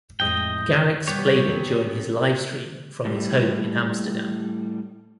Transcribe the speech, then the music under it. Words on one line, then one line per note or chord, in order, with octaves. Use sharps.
Garrix played it during his live stream from his home in Amsterdam.
F2 A2 G#3 D#5 G5
B2 G3 B3 G4 C#5
F#3 C#4
A2 G3